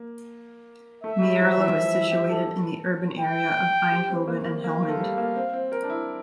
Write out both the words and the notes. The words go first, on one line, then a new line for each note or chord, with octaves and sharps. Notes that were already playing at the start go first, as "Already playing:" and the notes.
Mierlo is situated in the urban area of Eindhoven and Helmond.
Already playing: A#3
A3 E5
G3
F3
E3
F3
E4
G4
A4
G5
G4
C4
A#3
A#3
A#3 F5
A3
G3
A#3
C4
C4
A#4
D4
E4